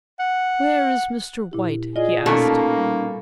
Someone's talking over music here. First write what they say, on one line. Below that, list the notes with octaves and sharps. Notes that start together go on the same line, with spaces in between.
"Where is Mr. White?" he asked.
F#5
A#2 E4 G4
F4 G#4 D5 D#5
B2 A3 A#3 C#4 D#4 A4 A#4
G3